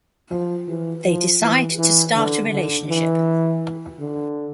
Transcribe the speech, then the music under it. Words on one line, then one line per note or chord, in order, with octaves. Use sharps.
They decide to start a relationship.
F3
E3
F3
E3
E3
D3
D3
E3
D3